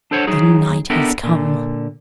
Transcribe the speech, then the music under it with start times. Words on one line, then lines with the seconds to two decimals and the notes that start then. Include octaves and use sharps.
The night has come!
0.11 D4 A4 C5 C#5 F#5
0.27 F#3 D#4 G#4
0.90 B3 D4 E4 G4 A4 A#4
1.23 A#2 D3